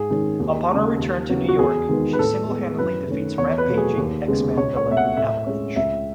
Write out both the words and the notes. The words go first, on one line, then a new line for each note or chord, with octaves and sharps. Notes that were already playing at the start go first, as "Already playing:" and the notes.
Upon her return to New York, she single-handedly defeats rampaging X-Man villain Avalanche.
Already playing: G#2 G#4
D#3 G#3 C#4
D#2
C#3 G#3
D#2
C#3 F#3 B3
F#4
E2 G#4
D#3 G#3 B3
B4
A2 A4
G#3 B3
F#2 B4
D#3 A3 C#4
E2 C#5
B4
B2 F#3 A3
G#4
D#2
C#3 G#3 B3
C#2 C#5
C#5
B2 A3 E5
F#5
A2 E5
G#3 C#4
C#2 E5